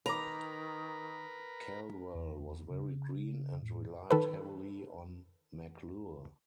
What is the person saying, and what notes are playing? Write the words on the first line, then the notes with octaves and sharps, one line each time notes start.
Caldwell was very green and relied heavily on Maclure.
D#3 A#4 B4 A#5 B5 D6
E2
C#3
A2
D#3 A4 B4